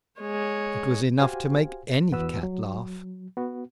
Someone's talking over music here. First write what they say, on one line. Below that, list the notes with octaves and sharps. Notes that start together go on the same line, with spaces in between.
It was enough to make any cat laugh.
G#3 C#5
F#4 G4 C5 F5 G#5
E2 B3 F#4 B4 E6
F#3
B3 F#4